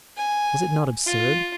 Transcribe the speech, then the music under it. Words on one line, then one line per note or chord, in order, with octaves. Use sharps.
Was it not absurd?
G#5
F4